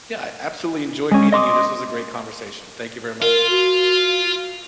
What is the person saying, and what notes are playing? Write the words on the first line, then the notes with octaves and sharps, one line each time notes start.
Yeah, I absolutely enjoyed meeting you, this was a great conversation. Thank you very much.
G#3 C#4
D#5 C6 D6 D#6
F4 A#4
F#4